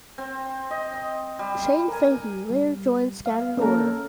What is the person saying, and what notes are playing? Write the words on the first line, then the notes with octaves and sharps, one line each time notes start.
Shane Fahey later joined Scattered Order.
C4
D#5
G3
A#4 G#5
G3
F5
A#3 C#4 A4 A#4